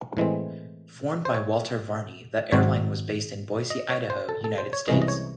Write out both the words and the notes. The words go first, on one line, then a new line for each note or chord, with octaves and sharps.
Formed by Walter Varney, the airline was based in Boise, Idaho, United States.
A2 E3 G#3 C4
C5
C#5
G#1 G#2 F#3 C4 C#5
D#5
C#5
C5
A4
A4
C5
C#5
C2 C3 E3 G#3 C#4 D#5
D#5
C#5